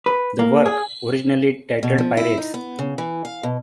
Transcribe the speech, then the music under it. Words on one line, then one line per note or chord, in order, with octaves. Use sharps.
The work, originally titled Pirates!
B4
A#3
G#4
B2
F3
E4
D#4
B3
C#3
E3
F5
B2